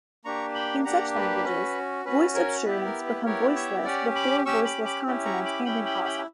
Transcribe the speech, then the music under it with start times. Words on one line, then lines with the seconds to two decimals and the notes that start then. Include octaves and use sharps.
In such languages, voiced obstruents become voiceless before voiceless consonants and in pausa.
0.25 A#3 D4 G4 A#5 C#6
0.54 G5 B5
0.84 A#3 D4 G4 F#5 A#5
1.15 B4
1.44 C#4 F#4
2.05 C#4 F#4 B4
2.34 A#4 C#5
2.65 B3 E4 G4 B4
2.85 A#4
3.05 B4
3.25 B3 E4 G4 A#4 C#5
3.55 C#5 E5
3.85 C#4 G4 D5 F#5
4.15 B5 D6
4.45 C#4 G4 C#6 E6
4.65 B5 D6
4.85 B5 D6
5.05 C#4 E4 G4
5.25 A#5 C#6
5.45 B5 D6
5.65 C#4 E4 G4 G5 B5
5.85 G5 B5
6.05 G5 B5